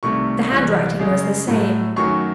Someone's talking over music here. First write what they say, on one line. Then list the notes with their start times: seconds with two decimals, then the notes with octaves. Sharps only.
The handwriting was the same!
0.03 C2 C3 D#3 A3 C#6
0.51 C2 C3 E3
0.99 F#2 C#3 G#3
1.48 A2 F#3 A3
1.96 F#2 D#3 F#3 A3 C#6